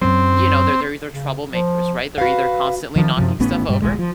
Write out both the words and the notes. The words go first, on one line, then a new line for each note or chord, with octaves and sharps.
you know, they're they're either troublemakers, right? They're either constantly knocking stuff over
F#2 F#3 C4
C#3
F3
F#4 B4 F5
D#3 F3
F#2 C3 F3
G#1 A2 B3 C#4
G2 A#2 G3
D1 A1 A#2 G#3
F3